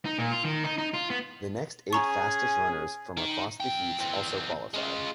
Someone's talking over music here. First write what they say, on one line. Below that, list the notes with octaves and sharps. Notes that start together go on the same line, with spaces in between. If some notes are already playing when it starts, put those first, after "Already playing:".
The next eight fastest runners from across the heats also qualified.
D#4
A#2
F4
D#3
D#4
D#4
F4
B3
C#4 G#4 G#5 A#5 C#6
D#3
F2 G5
E2 C4
G#3 F4